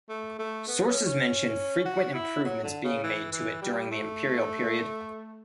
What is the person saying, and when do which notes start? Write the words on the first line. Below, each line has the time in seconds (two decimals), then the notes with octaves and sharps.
Sources mention frequent improvements being made to it during the imperial period.
0.09 A3
0.39 A3
0.68 B3
0.88 C#4
1.06 C#4
1.85 F#4
2.14 E4
2.44 F#3
2.64 D3
2.84 C#3
3.03 E3
3.32 E3
3.62 G3
3.91 A3